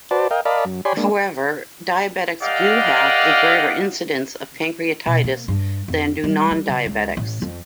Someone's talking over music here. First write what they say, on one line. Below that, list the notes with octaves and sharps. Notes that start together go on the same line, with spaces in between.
However, diabetics do have a greater incidence of pancreatitis than do non-diabetics.
F#4 B4 C5 D5 A5
A#4 D#5 F5 G5
A#4 D5 D#5 F5 A5 B5
F#2
G4 C#5 D5 G#5 B5 C6
G#3 A#3 D4
G4 A#4 D5 D#5 F5 F#5
B2
A#3
G2
F2
G3
G3
C#3
C#2
A1
F2